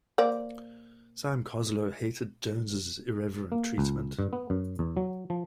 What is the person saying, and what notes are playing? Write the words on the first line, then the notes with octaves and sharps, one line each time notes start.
Sam Coslow hated Jones' irreverent treatment.
A#3 C5 D5
A#3
C#2
G2
B3
F#2
E2
F#3
F3